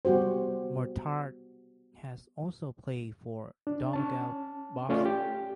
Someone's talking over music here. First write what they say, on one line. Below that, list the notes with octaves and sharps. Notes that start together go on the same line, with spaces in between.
Murtagh has also played for Donegal Boston.
G3 B3 F#4 G4 C5
D4
C#4 A5
A3 C#4 F4 D5
G4